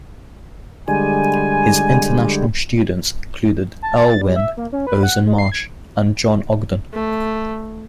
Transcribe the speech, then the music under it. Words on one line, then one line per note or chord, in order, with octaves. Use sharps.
His international students included Earl Wild, Ozan Marsh, and John Ogdon.
D3 G3 G#3 G#5
A5
A5
A6
G3
E5
A#3
C#4
B4
F#5
G#3
C7
G#6
A3